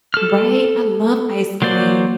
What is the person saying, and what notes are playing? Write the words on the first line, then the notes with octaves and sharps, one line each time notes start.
Right, I love ice cream,
A4 F6
F#3 A#3 C5 D5